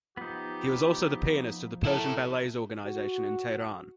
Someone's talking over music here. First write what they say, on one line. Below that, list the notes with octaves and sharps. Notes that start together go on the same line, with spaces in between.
He was also the pianist of the Persian Ballets Organization in Tehran.
F3 B3 D#4 G4
E4 A4 A#4
F#4